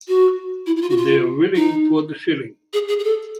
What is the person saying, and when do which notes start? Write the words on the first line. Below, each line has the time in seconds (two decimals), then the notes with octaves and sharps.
They're willing – for the shilling.
0.08 F#4
0.66 E4
0.77 E4
0.82 F4
0.90 F#4
0.97 F4
1.56 D#4
2.73 G#4
2.88 G#4
2.99 G#4
3.04 A4